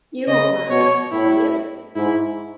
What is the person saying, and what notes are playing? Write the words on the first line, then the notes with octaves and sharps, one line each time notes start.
You won't mind, will you?
C#3 D#5
B2 C#5
A2 E4
G#2 E4